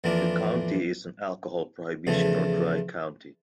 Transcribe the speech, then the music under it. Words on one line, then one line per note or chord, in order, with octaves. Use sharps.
The county is an alcohol prohibition or dry county.
F2 E3 A#3 D4 F4
E2 C#3 F3 A3